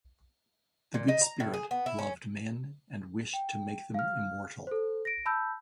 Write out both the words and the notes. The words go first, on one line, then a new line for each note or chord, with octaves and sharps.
The Good Spirit loved men and wished to make them immortal.
A#2
D#4
A#5
A2
G#4
B3
E4
C#4
G5
F5 F6
A4 C5
A#6 D7
A5 B5 E6 G6